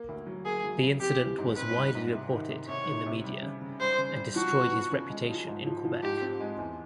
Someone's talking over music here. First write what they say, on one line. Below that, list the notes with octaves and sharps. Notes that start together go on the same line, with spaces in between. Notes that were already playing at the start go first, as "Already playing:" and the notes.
The incident was widely reported in the media and destroyed his reputation in Quebec.
Already playing: A#3
D2
F#3
A#3 G#4
F#3
C#3
C4 G4
E3
G#2
C4 B4
G3
G#2
C3
D#3
C3
C3 C#5
D#3
C3
G3
C#3
C#3
G3 C5
C#3
G3
F3 F#4
B3
F3
C#3
G#3
F3
G#2
F3
F3
G#2 G4
C4
G#3
E2